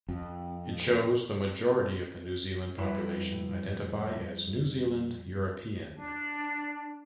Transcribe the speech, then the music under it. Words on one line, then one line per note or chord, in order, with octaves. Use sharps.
It shows the majority of the New Zealand population identify as New Zealand European.
F2
F2 G3 E4 B4
D4